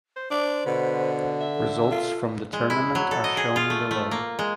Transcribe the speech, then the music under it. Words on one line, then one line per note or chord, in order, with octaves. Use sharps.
Results from the tournament are shown below.
C5
D4 C5 D6
B2 D3 B4
E5
A4
F4
G#3
E4
F#3
A4
D#5
G#4
F4
A3
A3
A#3
G#3